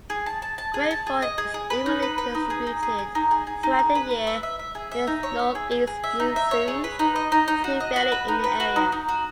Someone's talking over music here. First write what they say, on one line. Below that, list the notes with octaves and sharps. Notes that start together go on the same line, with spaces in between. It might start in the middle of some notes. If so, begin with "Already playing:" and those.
Rainfall is evenly distributed throughout the year with north-east monsoon prevailing in the area.
G#4
A5
A5
A5
G#4
A5
G#4
D#5
G#4
G#4
B4
D#4
B4
B4
D#4
G#4
D#4
G#4
G#4
D#4
G#4
G#4
D#4
G#4
B4
B4
E5
E5
E5
G#4
E5
D#4
C#5
E5
G#4
G#4
G#4
E5
D#4
E5
C#5
G#4
B4
D#4
D#5
D#4
D#4
F#4
D#5
F#4
B4
D#4
B4
F#4
D#4
D#4
F#4